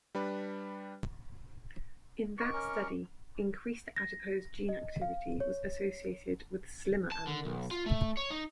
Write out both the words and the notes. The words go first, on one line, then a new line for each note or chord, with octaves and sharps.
In that study, increased adipose gene activity was associated with slimmer animals.
G3 D4 B4 B5
D#3 C#6 D6
C#4 A#4
A#6
D#5
F5
C#5
A5
D3
B1
F4
A3
C#5
D#4